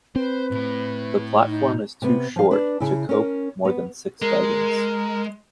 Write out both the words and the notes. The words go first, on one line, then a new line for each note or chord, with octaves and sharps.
The platform is too short to cope more than six wagons.
C4 B4 C5
A2 E4
D#4
C3 B3
F3 F5
D4 B4
C#3 E4
C#4 A#4
B3
G#3 A#4